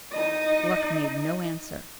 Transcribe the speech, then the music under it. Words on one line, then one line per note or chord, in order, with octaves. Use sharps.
Gluck made no answer.
D#4 D#5